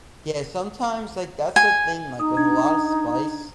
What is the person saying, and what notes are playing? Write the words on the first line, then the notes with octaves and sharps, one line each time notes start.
yeah, sometimes like, that's the thing, like, with a lotta spice
G#5
D#4 D#6
D4 G#6